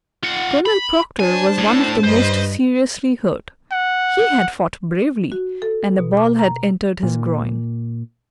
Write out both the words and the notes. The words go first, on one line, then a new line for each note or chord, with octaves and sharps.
Colonel Proctor was one of the most seriously hurt; he had fought bravely, and a ball had entered his groin.
F4 F#5
B5
D4 C5 G#5 A5
A2
G2 B4 C5 D#5
F#5
F#4
A4
B2
D6
A#5
A#2